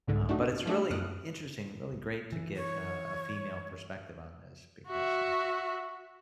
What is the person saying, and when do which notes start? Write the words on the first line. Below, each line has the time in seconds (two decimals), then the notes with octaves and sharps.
uh, but it's really interesting, really great to get, uh, a female perspective on this because, uh
0.07 C2 G#2 D3
0.29 A3 D4 D#4 F#4
0.66 F3 A3 D4 G4
0.90 F#2 D#6 F6 F#6
2.32 E3
2.56 C#5
4.88 F#4 E5